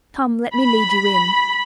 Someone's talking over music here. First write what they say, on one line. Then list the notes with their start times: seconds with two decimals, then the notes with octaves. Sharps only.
Come, let me lead you in.
0.54 B5